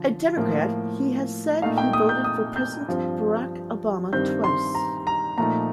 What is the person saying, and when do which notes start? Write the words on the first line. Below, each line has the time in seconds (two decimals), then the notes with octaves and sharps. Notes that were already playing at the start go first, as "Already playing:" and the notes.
A Democrat, he has said he voted for President Barack Obama twice.
Already playing: D3 F3
0.37 A2 F3 A#3 F4
1.62 A#2 A3 D#4 F5
1.78 G5
1.93 D#6
2.09 G6
2.24 D#6
2.56 G6
2.88 G2 F3 C4 F4
4.13 G2 D#3 G3 C4 G6
4.44 C6
4.75 A#5
5.07 A#5
5.38 A#2 F3 A3 D#4 A#5